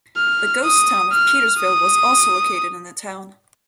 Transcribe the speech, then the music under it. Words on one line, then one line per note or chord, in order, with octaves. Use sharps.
The ghost town of Petersville was also located in the town.
F6
D#6
F6
D#6